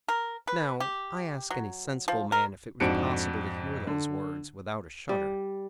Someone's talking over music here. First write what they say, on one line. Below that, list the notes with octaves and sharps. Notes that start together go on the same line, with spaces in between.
Now I ask any sensible man if it was possible to hear those words without a shudder.
A#4
B4
G4
F#3
F3
A#4
F2 G#2 D4 F#4 C#7 D7
D3
G3